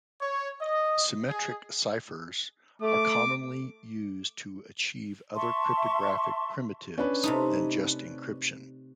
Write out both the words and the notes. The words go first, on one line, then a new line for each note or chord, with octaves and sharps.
Symmetric ciphers are commonly used to achieve other cryptographic primitives than just encryption.
C#5
D#5
G#4
A3 D6
E5 A5 C6 C#6
C#4 D4 B4
C3 A3 D#4